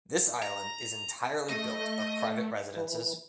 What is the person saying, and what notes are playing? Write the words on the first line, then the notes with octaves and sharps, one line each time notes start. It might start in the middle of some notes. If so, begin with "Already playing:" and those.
This island is entirely built of private residences.
A#5
A3 D#5
E3